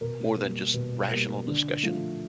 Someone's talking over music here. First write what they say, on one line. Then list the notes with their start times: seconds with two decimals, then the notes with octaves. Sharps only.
more than just rational discussion,
0.01 B2 A#4
0.37 G3 A#3
0.73 B2
1.11 G3 A#3
1.47 D3
1.83 F3 A3